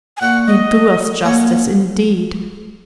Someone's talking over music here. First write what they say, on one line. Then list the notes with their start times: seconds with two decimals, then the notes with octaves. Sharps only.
You do us justice, indeed.
0.17 G#5
0.21 A#2 A#3 F#4 F#5
0.47 D#5
1.23 A#2 F#3 A#3 D#4 A#4 C#5